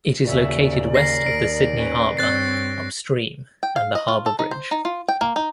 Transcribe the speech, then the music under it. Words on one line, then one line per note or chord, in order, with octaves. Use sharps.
It is located west of the Sydney Harbour upstream and the Harbour Bridge.
D#2 C#3 F#4 D5 E5
A#4 A#6 C7
D#2 D#3 D7
C#4 B4
G2 C4 C#5 F#6 A6 C7
G5
F5
D#5
F4
A4
D#4
C5
D#4
F4
G5
A#3
D#4